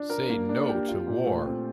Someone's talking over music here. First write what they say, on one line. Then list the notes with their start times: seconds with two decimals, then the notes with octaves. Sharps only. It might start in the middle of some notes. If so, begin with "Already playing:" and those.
Say No To War!
Already playing: D4
0.10 A#4
0.30 A#3
0.49 D4
0.69 G4
0.88 F4
1.07 A#2
1.26 A3
1.47 C4